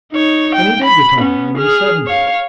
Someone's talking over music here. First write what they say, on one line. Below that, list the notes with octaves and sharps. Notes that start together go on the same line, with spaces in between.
And he did retire when he was seventy.
D#4 C#5
G5
B5
B3 C#4
G#4 F6
C#5 F5